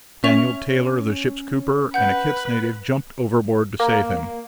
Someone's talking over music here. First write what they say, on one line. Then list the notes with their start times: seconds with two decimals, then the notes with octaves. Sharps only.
Daniel Taylor, the ship's cooper, and a Kitts native jumped overboard to save him.
0.24 C#4 E5 C#6 F7
1.94 B4 F#5 G6
3.80 A#3